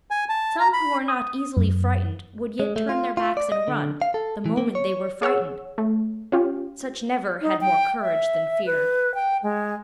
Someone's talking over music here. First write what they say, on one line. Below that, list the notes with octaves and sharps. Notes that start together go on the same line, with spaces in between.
Some who are not easily frightened would yet turn their backs and run, the moment they were frightened: such never had more courage than fear.
G#5
A5
A#5
B5
D#6
F#2
G#3
A3
F4
F4
D5
D#5
D3
F5
A4
E3
A#3
C#5
G#4 C#5 F#5 E6
A3
C#4 F4 G4
D#4
G5
E5
B4
G5
G#3